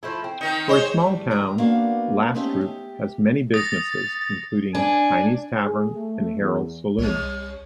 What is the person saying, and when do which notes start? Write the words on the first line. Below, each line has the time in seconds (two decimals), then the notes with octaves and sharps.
For a small town, Lastrup has many businesses, including Tiny's Tavern and Harold's Saloon.
0.03 F3 A3 E4
0.24 C4
0.41 D#3 D#4
0.69 G#3 C5 C#5
0.99 A2 E3 G3 A3
1.31 F2 G#2 D#3 A#5
1.58 A#3 B3 D4 F#4 F5
2.35 A3 C4 C#4 D#4 G4
2.61 G4
3.54 D#6 A6 A#6 C#7
4.75 D4 G#5
5.64 G#4
5.96 A3
6.36 E2
6.98 C2 G3 C4 C#5